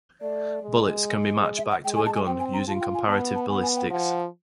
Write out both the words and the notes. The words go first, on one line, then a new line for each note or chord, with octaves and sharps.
Bullets can be matched back to a gun using comparative ballistics.
A3 D5
G#3
D#5
E5
F#5
G#3 G5
G#5
A5
G#5
C4 G5
G#5
A#5
F4 A5
G5
G#5
B3 A5
A5
B3 G#5
G#5
G5
F3 F#5